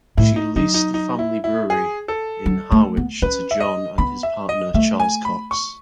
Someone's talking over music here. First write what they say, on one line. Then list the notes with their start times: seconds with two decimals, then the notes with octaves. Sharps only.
She leased the family brewery in Harwich to John and his partner Charles Cox.
0.17 A2 E4
0.36 D#4
0.56 F#3 D#4
0.74 D#4
0.94 D#4
1.19 E4
1.44 E4
1.70 G#4
2.08 A4
2.46 F#3
2.72 A3
2.97 B3
3.22 C#4 B4
3.51 E5
3.60 D#5
3.98 B3 B5
4.23 E5
4.49 D#5
4.74 A3 E5
5.00 G#5
5.25 B5
5.51 C#6